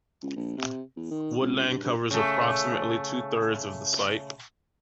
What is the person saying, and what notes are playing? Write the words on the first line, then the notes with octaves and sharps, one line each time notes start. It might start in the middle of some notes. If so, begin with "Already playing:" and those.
Woodland covers approximately two-thirds of the site.
C#2
A#1
C3
E2
D#3
C#2
G2
G2
C#3 A3